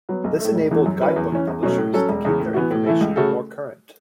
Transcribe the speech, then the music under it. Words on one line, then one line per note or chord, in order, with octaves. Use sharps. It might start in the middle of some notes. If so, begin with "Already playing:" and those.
This enabled guidebook publishers to keep their information more current.
F#3 B3
B1
A3
A2
E1
E2 E3
F#2
F#3 C#4 E4 B4
E2
E3 C#4
E2
B2 F#3 A3 C#4
A2
F#3 C#4 A4
E1
E2 C#3
A2
E3 B3 F#4
A2
E3 A3 E4 A4
C#2
C#3 A3 F#4 A4